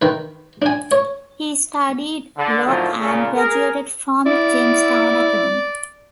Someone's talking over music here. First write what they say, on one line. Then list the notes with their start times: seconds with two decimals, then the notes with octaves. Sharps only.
He studied law and graduated from Jamestown Academy.
0.02 D#3 B4
0.62 D4 G#5
0.92 C#5
2.37 D3
2.67 A2 D3 D#3 F3 F#3
3.00 A#2 C#3
3.36 G#4 A#4
4.26 E4 D5